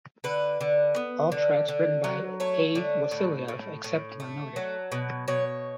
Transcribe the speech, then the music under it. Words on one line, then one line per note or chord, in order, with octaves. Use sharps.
All tracks written by A. Wasiliev, except where noted.
D3 B4
D3
B3
D3
D3
F#3
A3 C#5
D3
A2
A2
A2
A3
F#3
B2
B2 C#5